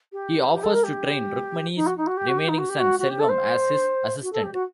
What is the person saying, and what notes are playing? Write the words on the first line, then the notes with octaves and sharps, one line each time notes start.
He offers to train Rukmani's remaining son, Selvam, as his assistant.
G4
G4
A4
A#4
G4
D#4
F#4
D#4
F#4
G4
F#4
G4
D#4
F#4
G4
F#4
F#4
G4
A4
C5
F#4
A4
G4
F#4